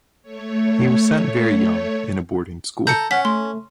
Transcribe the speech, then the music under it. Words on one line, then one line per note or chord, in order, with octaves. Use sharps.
He was sent very young in a boarding school.
A3 C#5
A4 A#5 G6 C#7
C#4 F#5 B6
A3 C6